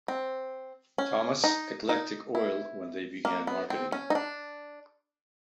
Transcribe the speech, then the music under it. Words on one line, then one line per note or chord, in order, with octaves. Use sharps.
Thomas’ Eclectic Oil when they began marketing it.
C4
C#4
D#4
D#4
E4
A#3
B3
C4
C#4
D#4
D4